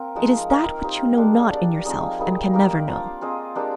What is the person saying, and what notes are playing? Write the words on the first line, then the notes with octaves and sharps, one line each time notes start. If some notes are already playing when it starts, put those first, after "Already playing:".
It is that which you know not in yourself and can never know.
Already playing: A#3 C4 A#4
F3 G#3 D#4
A#3 D#4 A#4 F5
D#4 G4 C5
G#3 D4 G#4
D4 G4 D5
F3 C4 D#4 G#4
G3 A#3 D#4 G#4
A#3 D#4 G4 A#4
A#3 D4 F4 C5
C4 F4 G#4 D#5
G#3 D4 G4 A#4